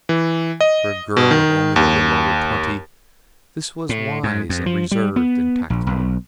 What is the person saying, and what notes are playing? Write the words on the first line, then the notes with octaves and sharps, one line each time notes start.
For a girl of only a little over twenty this was wise and reserved and tactful.
E3
D#5
B2
D#3
D#2
A2
G#2
F2
F3
G3
B3
A#1
B1